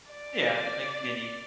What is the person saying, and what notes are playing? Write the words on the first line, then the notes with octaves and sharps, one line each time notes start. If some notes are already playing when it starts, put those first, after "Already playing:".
Yeah, make many
D5